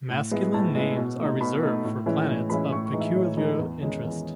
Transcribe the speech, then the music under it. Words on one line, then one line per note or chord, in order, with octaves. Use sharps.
Masculine names are reserved for planets of peculiar interest.
A2
G#3 B3 E4
A2 A5
G#3 B3 E4
B2
A3 D#4
B2 B5
A3 D#4
A2
E3 G#3 C#4 E4
A2
E3 G#3 C#4 E4 B5
A2 C#6
C#6
E3 G#3 D#4
E5
A2 C#5
E3 G#3 D#4
E2
D#3 G#3 C#4
E2